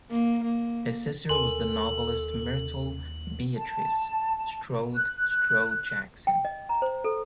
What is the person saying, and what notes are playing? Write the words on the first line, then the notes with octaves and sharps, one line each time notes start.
His sister was the novelist Myrtle Beatrice Strode Strode-Jackson.
A#3
A#3
D#2 A4 A#4 G#5 C6 F#7
A5
F#6
G5
D#5
A#5
C5
A4